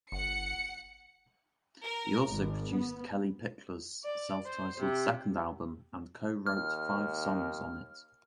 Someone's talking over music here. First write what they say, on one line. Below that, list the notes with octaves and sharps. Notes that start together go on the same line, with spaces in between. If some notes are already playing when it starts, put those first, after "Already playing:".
He also produced Kellie Pickler's self-titled second album and co-wrote five songs on it.
G1 F#5 C#7
A#4
G#1
B3
D5
C5
C3
D#2 F6